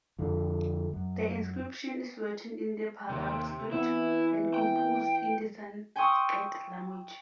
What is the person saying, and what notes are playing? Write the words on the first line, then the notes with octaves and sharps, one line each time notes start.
The inscription is written in the Pallava script and composed in the Sanskrit language.
F2 D3
F#2
D#2 C3
E3 B3 C4 E4 E5
G5
G5 G#5 C6 C#6 D#6 E6